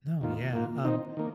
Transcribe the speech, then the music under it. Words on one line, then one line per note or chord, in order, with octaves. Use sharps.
No. Yeah, um,
D#2 D#3 A#3 F4
A#2 A#3 F4
D#3 C4 D#4
D#3 A#3